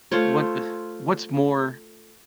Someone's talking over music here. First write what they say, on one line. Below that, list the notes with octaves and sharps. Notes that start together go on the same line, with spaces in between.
what, uh, what's more
A3 F4 C5 C#5